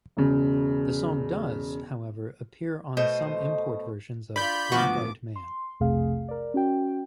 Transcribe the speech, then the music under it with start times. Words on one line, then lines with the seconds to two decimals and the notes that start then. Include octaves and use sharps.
The song does, however, appear on some import versions of "Black Eyed Man".
0.17 E1 C#3
2.97 B2 A3 C5 D#5
4.36 D4 F4 D5 B5 G6
4.72 D2 G#2 F3 B3 F#4 D6
5.36 C6
5.80 B1 F2 C3 A3 G#4 F5
6.28 A#4 D5
6.54 C#4 F#4 G5